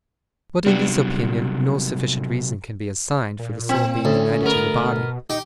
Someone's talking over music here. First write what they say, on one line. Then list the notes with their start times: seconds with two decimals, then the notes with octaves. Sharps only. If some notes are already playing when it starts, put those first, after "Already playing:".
But in this opinion no sufficient reason can be assigned for the soul being united to the body.
0.67 C3 F#3 G3 B3 D4
3.39 A#2
3.69 C4
4.05 D2 C#4
4.43 B3 A#4
4.75 B2
5.30 D#4 G4